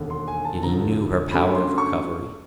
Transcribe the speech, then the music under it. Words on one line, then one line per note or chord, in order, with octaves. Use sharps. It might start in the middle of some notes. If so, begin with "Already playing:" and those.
Yet he knew her power of recovery.
Already playing: E1 D#2 D3
C6
G#5
A5
E1 D2 D3 F3 A#5
G2 D3 F#3 A3 C#4 B5
C6
C#6